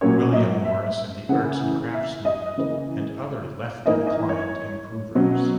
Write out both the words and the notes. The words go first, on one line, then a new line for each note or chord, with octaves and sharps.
William Morris and the Arts and Crafts movement and other left-inclined improvers.
A#2 F#3 A#3 C#4 C#5
D#5
E5
C#3 E3 A#3 F#5
E5
D#5
C#3 E3 A#3
E3 A#3 D#4 D#5
D#5
C#5
B2 F#3 C#4